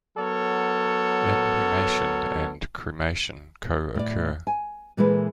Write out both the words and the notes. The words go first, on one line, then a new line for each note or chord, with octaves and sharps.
Inhumation and cremation co-occur.
F#3 B3 A4 A#4 C#5
A2 D5
G#5
A#2 E3 G#3 E4 A4 B4